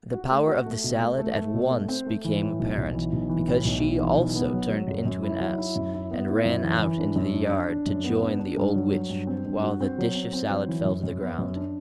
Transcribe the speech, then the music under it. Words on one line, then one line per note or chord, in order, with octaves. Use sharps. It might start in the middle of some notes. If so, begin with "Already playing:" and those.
The power of the salad at once became apparent, because she also turned into an ass, and ran out into the yard to join the Old Witch, while the dish of salad fell to the ground.
F#4
A3
F#4
A3
B2
A3
A3
A3
B2
A3
C4
A3
E3
A2
B1
B1
E3
B1
E3
A2
B1
B1
E3
B1
B3
F#3
F#3
F#2
F#2
E4
F#3
E4
F#2
E4
B3
E4
F#2
E3
E3
D4
F#2
D4
D4
D4
F#2
B3
D4
D4
G2
F#3
F#3
G2
C4
G2
F#4
C4
F#3
C4
C4
F#3
E3
F#2
F#2
B3
F#2
D4